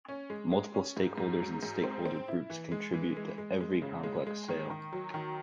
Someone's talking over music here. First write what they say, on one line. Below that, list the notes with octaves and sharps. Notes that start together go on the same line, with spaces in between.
Multiple stakeholders and stakeholder groups contribute to every complex sale.
C#4
G#3
G#3
C#4
G#2
G#2
F#3
G#2
C4
C4
E4
E3
G#3
E3
G#3
G#3
G#3
C#3
G#3
G#3
D#3
D#3
F#3
D#3